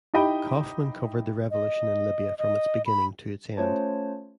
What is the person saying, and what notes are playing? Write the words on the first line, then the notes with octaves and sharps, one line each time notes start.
Kofman covered the revolution in Libya from its beginning to its end.
D#4 E4 G4 D#5 G5 B5
D#5
D#5
B5
A3 C#4 F4 C5 C#5 A5